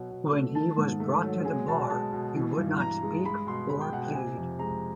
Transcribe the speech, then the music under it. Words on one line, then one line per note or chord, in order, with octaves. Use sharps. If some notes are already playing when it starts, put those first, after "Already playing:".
When he was brought to the bar, he would not speak or plead.
Already playing: B2 F#3 F#5
B2
A3
D#3 A5
G#2
A3
F#3
G#3 G#5
B2 A5
G#3 A5
B2
E3
G2
G2 A#5
G#3
G#3 B5
B2 C6
G#3 B5
G5
B2 F#5
G5
C3 G#5
F2
G#3 A#5